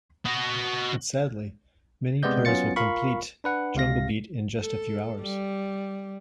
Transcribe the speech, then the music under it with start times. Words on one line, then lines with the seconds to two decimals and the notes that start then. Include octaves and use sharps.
But sadly, many players will complete "Jungle Beat" in just a few hours.
0.26 F#4 D#5
2.23 C3 G#3 B3 D5 D#5 G6
2.45 F#3 B3 C#4 F4 A6 C#7
2.76 F4 A#4 F5 B5 C#6
3.44 D4 B4 F#5
3.75 C#2 C3 F5 A#6
4.59 A4
5.21 G3